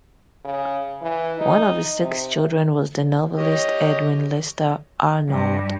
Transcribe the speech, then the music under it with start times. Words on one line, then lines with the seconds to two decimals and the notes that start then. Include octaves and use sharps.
One of his six children was the novelist Edwin Lester Arnold.
0.45 C#3
1.02 E3
1.39 D#4
2.00 C3
3.37 G4 C#5 D#5
5.29 G2